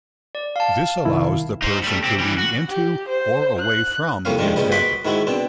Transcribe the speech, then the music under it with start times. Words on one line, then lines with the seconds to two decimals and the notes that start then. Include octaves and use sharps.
This allows the person to lean into or away from the attacker.
0.35 D5
0.56 F5 A5
1.05 C2 D#3 E4
1.62 D#4 C5
1.84 G3 A3
2.04 C4 G4
2.18 E3 G3
2.38 F#4
2.70 G4
3.09 C5
3.60 F#6
4.25 C2 F2 C3 A#3 C#4 F5
4.39 C3 D#3 F3 G#3 D4
4.56 C#2 G2 A#2 C#3 G3 D#5
4.72 F#4 B4 D#5 B5 C6 D6
5.05 G#2 D#3 G#3 E4 F#4
5.27 B2 C4 D4